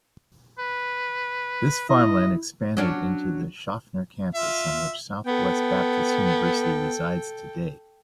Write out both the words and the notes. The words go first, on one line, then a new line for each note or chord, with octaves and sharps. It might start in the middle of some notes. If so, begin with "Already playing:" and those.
This farmland expanded into the Shoffner Campus on which Southwest Baptist University resides today.
B4
E4 D#5
F#3 C#4 D4
F4 E5
B3 A4 G5